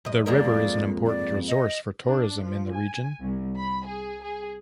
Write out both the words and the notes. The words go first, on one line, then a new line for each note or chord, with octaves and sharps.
The river is an important resource for tourism in the region.
F#2 D#5
F2 G#3 A#3 D5
D5
D#5
D4
F3
G#5
C2
B5
G#4
G#4